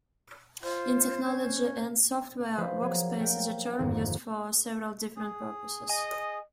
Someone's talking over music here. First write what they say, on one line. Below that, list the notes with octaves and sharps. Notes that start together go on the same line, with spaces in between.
In technology and software, "workspace" is a term used for several different purposes.
F4 C5
C#4
F3 B4 C5
F#3 A#3 G#4
A#3 G5
G1 F2 G#2 D#3
G#4
D#5 G#5